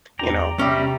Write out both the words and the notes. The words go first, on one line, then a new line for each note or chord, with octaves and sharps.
you know,
E2 D5 G5 A#5
C3 G3 C#4 E5 A#5